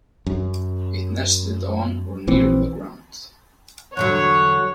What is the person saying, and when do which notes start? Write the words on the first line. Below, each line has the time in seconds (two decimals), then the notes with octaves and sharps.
It nested on or near the ground.
0.27 F#2
2.27 A#1 E3 C4
3.97 E2 D3 F#3 C#5 F#5